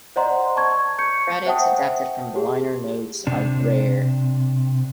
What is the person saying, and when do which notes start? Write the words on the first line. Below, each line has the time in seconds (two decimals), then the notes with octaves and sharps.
Credits adapted from the liner notes of "Rare".
0.16 C5 D5 D#5 F#5 A#5 C6
0.56 A5 C#6 G#6
0.98 C#6 G6 C#7
1.46 C5 E5 F#5 G5 A5 D#6
2.36 G4 G#4
3.27 C3 D4